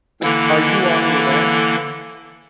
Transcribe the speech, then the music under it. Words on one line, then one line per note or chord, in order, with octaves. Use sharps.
Are you on your way?
D3 E3 A#3 E4 A4